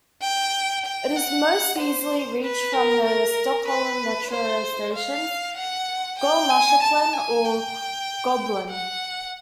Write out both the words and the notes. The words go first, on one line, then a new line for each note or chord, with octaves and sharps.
It is most easily reached from the Stockholm metro stations Gullmarsplan or Globen.
G5
G5
F#5
C5
B4
A#4
A#4
B4
C5
F5
F#5
G5
G#5
A5
G#5
G5
F#5